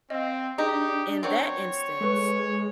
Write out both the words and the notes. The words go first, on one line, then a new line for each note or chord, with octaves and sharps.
in that instance,
C4 D#5 F5
D4 D#4 G4 G#4
F#3 C4 A#4 C#5
G#3 A4 B4 C#6